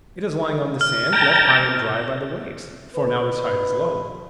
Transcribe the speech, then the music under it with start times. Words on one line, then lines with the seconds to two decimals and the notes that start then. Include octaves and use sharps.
It is lying on the sand, left high and dry by the waves, for now the tide is low.
0.81 F6
1.13 G5 A5 A#5
2.96 B4